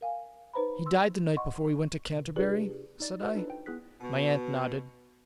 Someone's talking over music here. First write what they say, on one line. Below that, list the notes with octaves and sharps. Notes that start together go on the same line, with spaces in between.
'He died the night before we went to Canterbury?' said I. My aunt nodded.
A#4 F5 G#5
D#4 B4 C5 A#5 B5
C6 E6
D#5 F#5 C6 C#6
C3
D4 F4 G4 G#4 B4 D5
D#4 D5 A6
F#4 A4 B4 D5 A5
D4 D#4 F4 A4 B4
C5 G5
B3 E4 G#4 F#6 B6
B2